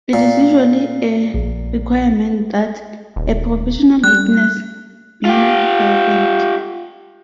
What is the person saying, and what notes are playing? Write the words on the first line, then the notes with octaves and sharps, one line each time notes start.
It is usually a requirement that a professional witness be present.
A#2
A#1
D#1
G3 F#6
F4 G4